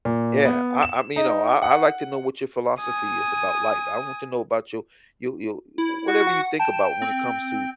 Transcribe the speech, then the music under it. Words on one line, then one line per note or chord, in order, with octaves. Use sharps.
Yeah, I I mean, y'know, I I like to know what your philosophy is about life, I want to know about you you you, w whatever you think about when it comes to
A#2
B3
E7
D#4
F#5
G#5 D#6
E4
F#4 C#6
F#5
G5 A5
C4